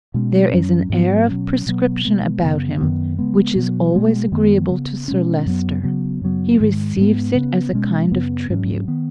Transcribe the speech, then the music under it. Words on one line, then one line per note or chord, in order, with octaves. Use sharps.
There is an air of prescription about him which is always agreeable to Sir Leicester; he receives it as a kind of tribute.
B2 G#3 C#4
F#2 F#3 C#4
G#2 F#3 B3
B2 F#3 C#4
B2 F#3 B3
B2 G#3 B3
F#2 C#3 B3
F#2 D#3 B3
C#3 G#3 B3
B2 F#3 B3
B2 G#3 B3
F#2 D#3 G#3 B3
C#3 B3
B2 G#3 C#4
F#2 F#3 B3
C#3 F#3 B3
F#2 C#3 F#3 B3
G#2 D#3 G#3
G#2 G#3 B3
C#3 B3
B2 G#3 C#4
F#2 C#3 B3
G#2 F#3 C#4
D#3 B3